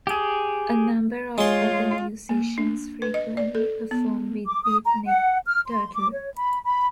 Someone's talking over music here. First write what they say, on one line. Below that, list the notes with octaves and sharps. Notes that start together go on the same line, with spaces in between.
A number of other musicians frequently perform with Beatnik Turtle.
G4 G#4
G#3 F4 C#5 C6
A#3
D4
B4
D#5
D5
A4
B3
D6
D#6
A#5
F#5
F6
C6
D6
C#5
B5
B5